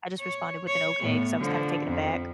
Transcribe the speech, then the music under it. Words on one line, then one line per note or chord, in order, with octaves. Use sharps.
I just responded with an okay 'cause I was kinda taken aback.
C#5
C#5
A2 B3
D3 F3
F2